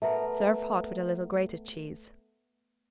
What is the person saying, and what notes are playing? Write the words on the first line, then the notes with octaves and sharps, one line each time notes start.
Serve hot with a little grated cheese.
A3 B3 A#4